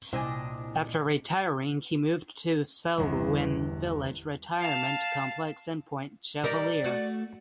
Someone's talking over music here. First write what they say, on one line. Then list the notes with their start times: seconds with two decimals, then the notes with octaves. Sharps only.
After retiring he moved to the Selwyn Village retirement complex in Point Chevalier.
0.13 C2 A#2 C4 D4 D#5 G#5
2.97 G1 E2
4.60 F5 A5
6.44 G3 D#4 A#4 D5
6.84 A3 F#4